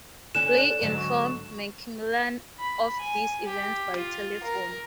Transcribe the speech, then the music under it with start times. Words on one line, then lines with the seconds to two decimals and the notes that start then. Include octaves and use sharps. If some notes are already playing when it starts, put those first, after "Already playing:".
Bligh informed Macmillan of these events by telephone.
0.35 D3 C#4 F#6 E7
0.53 D4 C#5
0.82 G#2 D3 F#3
0.98 C#6
2.59 B5
2.99 G#5
3.45 G4
3.96 F4
4.43 A#4